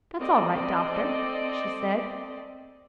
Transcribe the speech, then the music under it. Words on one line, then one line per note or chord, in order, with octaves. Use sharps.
"That's all right, Doctor," she said.
C4 A4 D5 D#5